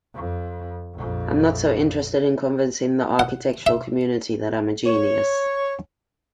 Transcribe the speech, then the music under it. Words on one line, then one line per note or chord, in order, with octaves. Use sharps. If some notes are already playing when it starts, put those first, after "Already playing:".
I'm not so interested in convincing the architectural community that I'm a genius.
F2
A#1 F2
F#5
E5
C#5